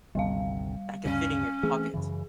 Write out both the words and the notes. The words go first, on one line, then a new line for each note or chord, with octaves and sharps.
that can fit in your pocket.
G#1 D2 C3 G3 F5
D2 G2 C#3 C#4
E3 A3 C4 G#4
F#2 C#3 E3